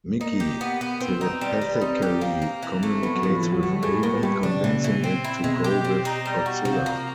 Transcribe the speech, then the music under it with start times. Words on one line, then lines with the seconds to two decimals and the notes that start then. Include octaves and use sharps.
Miki telepathically communicates with Baby, convincing it to go with Godzilla.
0.20 A#3 D#4 A#4
0.40 G4
0.61 B3
0.81 B3
1.01 B3 C4 B4
1.21 D#4
1.41 G3
1.62 G3
1.75 B4
1.81 C4 D#4 C5
2.02 G4
2.21 A#3
2.42 A#3
2.62 E3
2.83 A3
3.03 A2 B3 B4
3.15 F#3 F#4
3.23 A2
3.30 F3 F4
3.42 E3 F3 F4
3.52 F#3 F#4
3.62 F#3 A3 F#4
3.73 G3 G4
3.83 A2 G#3 G#4
3.94 G#3 G#4
4.03 A2 A#3 A#4
4.14 B3 B4
4.23 G3 A3 G4
4.43 C#3 C#4 D4
4.63 A#2 E3 A#3
4.84 E3
5.04 C4
5.24 E4
5.41 C4
5.44 B2 G#3 B3
5.64 G4
5.85 C4
6.05 D#4
6.26 G3
6.46 F#4
6.65 C3 F3 C4
6.86 A#3